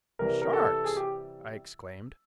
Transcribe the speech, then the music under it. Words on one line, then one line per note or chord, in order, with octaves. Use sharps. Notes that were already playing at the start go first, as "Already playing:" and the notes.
"Sharks?" I exclaimed.
C3 E3 G3 A#4
A#4
A4
G#4
G4